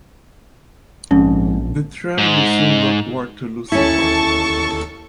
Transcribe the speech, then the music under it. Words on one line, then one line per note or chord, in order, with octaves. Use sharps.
The trail resumes northward to Lucy Park.
A#1 F2 G#2 C#4
G#2
D#2 C#4 E4 A4 A5 C#6